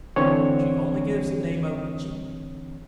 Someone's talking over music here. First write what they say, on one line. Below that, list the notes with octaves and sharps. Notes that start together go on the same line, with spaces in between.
She only gives the name of 'G.
D3 E3 C4 D4 C#5